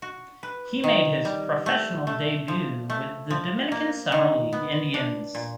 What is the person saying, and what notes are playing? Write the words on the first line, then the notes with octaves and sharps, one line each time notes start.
He made his professional debut with the Dominican Summer League Indians.
F#4
B4
D#3
G3
A3
A3
F3
A3
F3
A#3
D#3
B3
D4
A#2